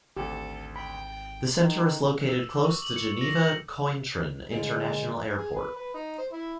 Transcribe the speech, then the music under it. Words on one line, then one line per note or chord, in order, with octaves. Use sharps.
The center is located close to Geneva Cointrin International Airport.
G#1 D2 G4 A4
G5 B5
D#3
E6
D6
C#6
F#7
C#7
A#6
F#7
D#2 D3 G#3
G#4
B4
B4
D#4
C5
E4